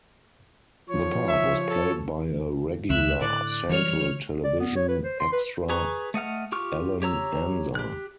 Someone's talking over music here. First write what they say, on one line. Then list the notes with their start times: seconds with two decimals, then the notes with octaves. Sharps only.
The part was played by a regular Central Television extra Allan Anza.
0.89 F3 C#5
1.28 E5
1.69 A4
2.90 C#2 E5 F#6
3.21 A2 D3 D5 F#6
3.69 E3 F3 G3 C#5 F6
4.44 D5
4.60 B3
4.76 C#5
4.89 B4
5.04 C5
5.20 C6
5.32 B4
5.69 G#4 B4 A#5 C#6
6.14 A3 D#5 F#5 F6
6.52 F4 G4 C#6 F6
7.02 G4 C#5 A#5 E6
7.75 G4 F#6